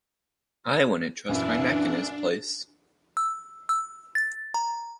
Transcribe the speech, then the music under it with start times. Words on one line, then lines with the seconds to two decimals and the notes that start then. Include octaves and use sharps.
I wouldn't trust my neck in his place.
1.29 A#1 F#2 E3 D4
3.17 E6
3.69 E6
4.15 A6
4.54 A#5